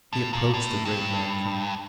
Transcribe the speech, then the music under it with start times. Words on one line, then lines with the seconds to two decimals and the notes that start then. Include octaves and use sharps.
He approached the great mansion.
0.13 A2
0.33 A#2
0.54 A2
0.85 G2